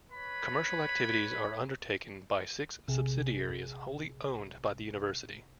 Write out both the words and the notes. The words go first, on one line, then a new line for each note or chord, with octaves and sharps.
Commercial activities are undertaken by six subsidiaries wholly owned by the university.
B4 C#5 B5
A#1 C3 G#4